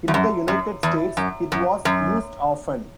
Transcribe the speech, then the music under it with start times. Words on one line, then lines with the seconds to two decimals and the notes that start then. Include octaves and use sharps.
In the United States it was used often.
0.08 E2
0.14 F#2
0.48 F#2
0.83 E2
1.17 F#2
1.52 F#2
1.85 F#2